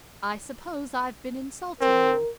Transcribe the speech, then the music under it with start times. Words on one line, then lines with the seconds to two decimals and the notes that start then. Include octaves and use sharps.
I suppose I've been insulting you.
1.81 C4 A#4